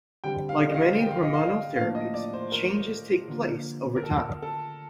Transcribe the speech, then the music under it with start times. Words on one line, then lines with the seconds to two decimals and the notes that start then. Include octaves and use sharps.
Like many hormonal therapies, changes take place over time.
0.24 D3 G3 C4 G5
0.49 F5
0.70 D#5
0.74 F5
1.00 G5
1.11 F5
1.22 D#5
1.34 F5
1.76 A2 F3 A#3 D4 F5
1.95 D#5
2.14 D5
2.33 C5
2.52 A#4
3.28 D3 F3 A#3
3.96 A#4
4.04 A4
4.42 A4